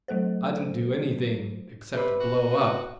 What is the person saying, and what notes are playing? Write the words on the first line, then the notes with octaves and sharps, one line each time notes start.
"I didn't do anything--except blow up."
F#3 A3 A4 C5
C3 B4
F#4